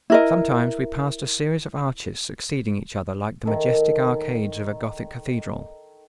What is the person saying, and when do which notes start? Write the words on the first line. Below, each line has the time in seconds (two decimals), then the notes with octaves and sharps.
Sometimes we passed a series of arches succeeding each other like the majestic arcades of a gothic cathedral.
0.10 E4 A#4 D#5
3.45 D#3 A4